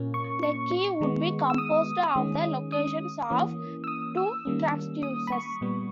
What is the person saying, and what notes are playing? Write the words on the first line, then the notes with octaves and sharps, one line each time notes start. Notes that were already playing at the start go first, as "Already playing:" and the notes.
The key would be composed of the locations of two transducers.
Already playing: A#2 A#3 C#4
C#6
C#6
D#3 G#3 B3
E6
D#6
D#3 G#3 C#4
D#6
E3 A#3 C#4
E6
D#6
E6
D#3 G3 A#3 C#4
D#6
B5
C#6
A#2 G3 B3